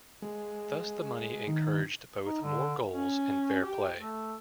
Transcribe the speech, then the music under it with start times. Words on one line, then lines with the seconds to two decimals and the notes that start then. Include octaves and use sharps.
Thus the money encouraged both more goals and fair play.
0.22 G#3
1.48 D#3
2.26 D#4
2.42 D3
2.93 C#4
3.61 G4
3.98 A3